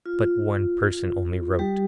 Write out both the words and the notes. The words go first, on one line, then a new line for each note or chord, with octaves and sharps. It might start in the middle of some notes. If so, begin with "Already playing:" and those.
"But one person only wrote!"
F4
G3 G4